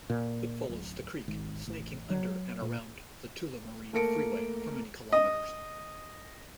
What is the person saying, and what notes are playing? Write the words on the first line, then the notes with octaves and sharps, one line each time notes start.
It follows the creek, snaking under and around the Tullamarine Freeway for many kilometres.
A#2
D1
G#1
A1
F#3
A#2
A3 A#3 A#4 A5 C#7 D7
D#5